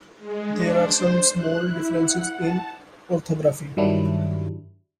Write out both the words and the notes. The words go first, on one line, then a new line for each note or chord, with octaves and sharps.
There are some small differences in orthography.
G#3
D4
C5
F#6
E4
F#5
A5
G2 D#3 F#3 G3 D4 E4